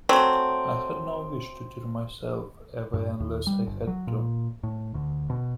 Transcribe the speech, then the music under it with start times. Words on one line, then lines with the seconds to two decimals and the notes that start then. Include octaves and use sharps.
I had no wish to tear myself away unless I had to.
0.09 F#3 A3 C4
2.94 G2
3.20 D#2
3.47 G3
3.66 G1
3.87 F#3
4.07 A#2
4.63 A2
4.94 D2
5.30 B2